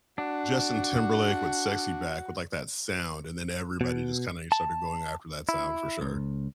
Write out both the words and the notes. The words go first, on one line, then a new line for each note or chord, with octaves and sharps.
Justin Timberlake with SexyBack, with, like, that sound, and then everybody just kinda started going after that sound for sure.
D4 F#4
B2
A5
E4
C#2